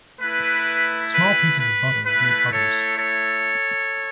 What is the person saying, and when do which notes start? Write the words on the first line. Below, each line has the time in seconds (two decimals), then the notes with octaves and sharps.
Small pieces of butter grieve others.
0.20 A3 E4 B4
1.13 B4
1.58 B4
2.05 A3 E4 B4
2.51 A4 C#5
2.97 A4 C#5